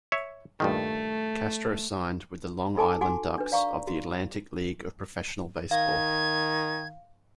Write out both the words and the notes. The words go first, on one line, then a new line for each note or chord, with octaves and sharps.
Castro signed with the Long Island Ducks of the Atlantic League of Professional Baseball.
C#5 E5
G2 A#2 D#3 A3
D#4 A4 G#5 A5 D6
D#4 F#4 F#5 G#5 C6 D6
D4 B4
D5 F5 A#5 C#6
F#4
D#3 F5 G#6